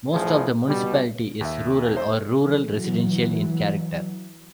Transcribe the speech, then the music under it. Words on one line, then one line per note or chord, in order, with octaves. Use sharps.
Most of the Municipality is rural or rural-residential in character.
C2 A2 E3 F3 G#4
B2 G3
D#2 E5
C5
E3 F#3